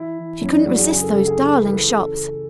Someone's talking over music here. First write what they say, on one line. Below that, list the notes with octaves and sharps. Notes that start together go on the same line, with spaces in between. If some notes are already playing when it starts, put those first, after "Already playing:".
She couldn't resist those darling shops.
Already playing: E3 E4
E3
F#2 C#4
D4
F#2 F#4
G#4
C#3 G#4
A4
C#2 A4
G#4
C#2
B4
E3
B4
C#3 A4
C#2